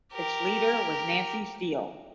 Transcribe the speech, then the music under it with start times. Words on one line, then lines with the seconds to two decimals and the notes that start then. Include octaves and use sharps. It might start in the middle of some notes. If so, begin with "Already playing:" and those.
Its leader was Nancy Steele.
0.14 G4 A#4